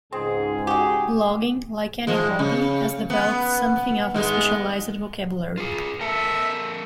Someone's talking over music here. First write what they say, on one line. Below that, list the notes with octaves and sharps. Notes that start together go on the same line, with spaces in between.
Blogging, like any hobby, has developed something of a specialised vocabulary.
C#2 G#2 C4 G#4
F#4 G4 G#5
G#2 F3 G#3
C#3
B3
B3
G#2 G#3 B3
F4 G#4
A3 A#4 E5 A5